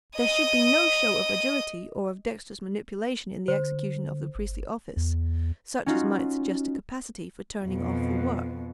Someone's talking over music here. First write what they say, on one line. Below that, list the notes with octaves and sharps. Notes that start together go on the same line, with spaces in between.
There should be no show of agility or of dexterous manipulation in the execution of the priestly office, such as might suggest a capacity for turning off the work.
D#5 D#6
D3 C5
G1
E2
C#4 D#4 F4 F#4
F2 B2